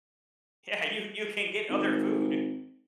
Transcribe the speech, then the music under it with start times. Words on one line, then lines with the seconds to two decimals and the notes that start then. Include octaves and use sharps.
Yeah, you you can get other food.
1.70 G#1